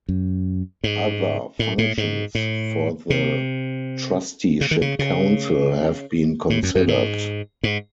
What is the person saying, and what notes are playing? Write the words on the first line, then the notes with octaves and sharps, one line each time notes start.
Other functions for the Trusteeship Council have been considered.
F#2
G#2
A2
A2
G#2
A2
C3
C#3
D#3
C#3
C#3
A2
F#2
F#2
G#2
G#2